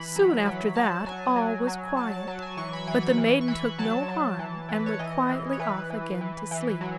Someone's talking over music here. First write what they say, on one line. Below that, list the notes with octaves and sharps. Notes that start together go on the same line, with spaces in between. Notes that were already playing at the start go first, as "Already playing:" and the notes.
Soon after that all was quiet, but the Maiden took no harm, and went quietly off again to sleep.
Already playing: E3 B5
F#3
F#3
F#3 A5
F#3 G#5
F#3
F#3
F#3 A5
A5
F#3 A5
G#5
E3 C#6
B5
E3 B5
B5
E3
C#6
E3 B5
F#3 A5
F#3
E3
E3 B4
C#5
E3 D#5
E3
C#5
E3 B4
E3
E3
E3
F#3